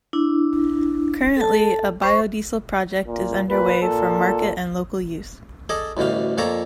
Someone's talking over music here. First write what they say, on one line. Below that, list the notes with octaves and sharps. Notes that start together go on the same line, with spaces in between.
Currently, a BioDiesel project is under way for market and local use.
D4 E4
A4 A5
C5 C#6
A#2
A#2 B4
A#2 A4
G#4 A4 D5 D#5
A1 D2 B2 G3 F5
F2 A#2 A4 C#5 D5 A#5